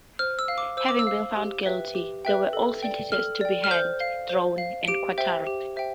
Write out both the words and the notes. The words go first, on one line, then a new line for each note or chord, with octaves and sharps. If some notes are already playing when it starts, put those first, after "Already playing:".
Having been found guilty, they were all sentenced to be hanged, drawn and quartered.
C5 F6
E6
F5
D6
C5 E6
D6
E6
F5
G4
B4 E5 G5
G4
B4 E5 G5
A4
D5 G5
A4 F6
D5 G5
F6
C5 G6
F5
C5
F5
G4 D7
C5 E5 G5
G4
C5 E5 G5